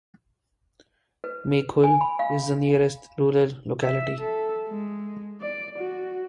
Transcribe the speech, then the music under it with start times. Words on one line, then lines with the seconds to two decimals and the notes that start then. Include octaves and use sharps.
Mezhgyul is the nearest rural locality.
1.24 B4
1.83 G#5
2.01 B5
2.19 F5
3.82 E5
4.19 A4
4.68 G#3
5.41 D5
5.79 F#4